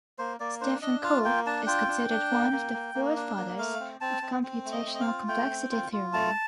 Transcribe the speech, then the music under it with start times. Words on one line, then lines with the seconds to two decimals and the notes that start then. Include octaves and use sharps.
Stephen Cook is considered one of the forefathers of computational complexity theory.
0.18 A#3 C5
0.40 A#3 D5
0.61 D4 C5
0.82 D4 D#5
1.04 F4 F5
1.25 A#3 G5
1.46 D4 A5
1.67 F4 G5
1.88 D4
2.10 D4
2.31 A#3
2.52 A#3
2.74 A#3
2.95 A#3
3.16 D4
3.37 A#3
3.59 A3 F5
3.80 C4
4.01 C4 A5
4.22 C4
4.43 C4
4.65 A3
4.72 D#5
4.86 C4
4.94 D#5
5.00 F5
5.07 F4
5.28 A3 G5
5.50 C4
5.71 F4
5.93 F4
6.13 A3 A5